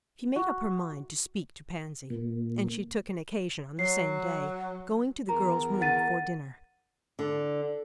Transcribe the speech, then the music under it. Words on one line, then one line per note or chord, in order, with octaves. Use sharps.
She made up her mind to speak to Pansy, and she took an occasion on the same day, going to the girl's room before dinner.
F#4
A#2
F#3 C7
E2 A#4 A#5
F#5 A6 D#7
D3